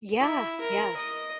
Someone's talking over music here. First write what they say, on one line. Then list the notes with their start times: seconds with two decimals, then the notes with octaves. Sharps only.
Yeah, yeah,
0.20 E4
0.61 A#4
0.96 D#5